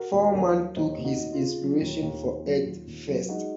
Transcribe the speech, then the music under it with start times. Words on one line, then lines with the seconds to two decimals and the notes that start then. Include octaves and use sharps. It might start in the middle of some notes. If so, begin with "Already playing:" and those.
Foreman took his inspiration for Earth First!
Already playing: F#4 A#4
0.13 D#2
0.34 D#2 A#4 C#5
0.55 F#3
0.76 D#2 C5 D#5
0.98 D#2
1.04 D#4 F#4
1.18 D#2
1.33 F4
1.40 C#3
1.61 F#3
1.81 D#2
2.02 D#2
2.24 D#2
2.45 F#3
2.66 D#2
2.87 D#2
3.08 F#3
3.29 G#3 D#4 F#4